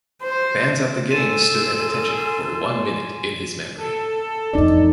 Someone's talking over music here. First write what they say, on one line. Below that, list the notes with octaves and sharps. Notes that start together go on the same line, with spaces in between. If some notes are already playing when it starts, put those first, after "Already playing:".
Fans at the game stood at attention for one minute in his memory.
C5
A4 G#5 C6 A6 D#7 E7
A4
A1 F2 D#4 D5